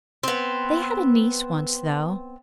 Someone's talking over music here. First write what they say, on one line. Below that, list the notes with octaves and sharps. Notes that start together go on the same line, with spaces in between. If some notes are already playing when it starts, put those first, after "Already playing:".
They had a niece once, though.
B3 C4